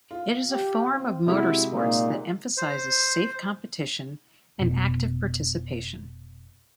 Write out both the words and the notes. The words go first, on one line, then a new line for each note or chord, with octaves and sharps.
It is a form of motorsports that emphasizes safe competition and active participation.
F4
G4
C4
C3 G#3 E4 F#4
A#2 D#4
C5
F1 B2